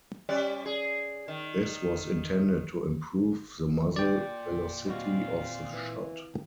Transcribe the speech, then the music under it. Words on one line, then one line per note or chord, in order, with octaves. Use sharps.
This was intended to improve the muzzle velocity of the shot.
G3 C#4 D5
G#4
D#3
A#2 D5 G5
D#2 C4 F4 F#4
E3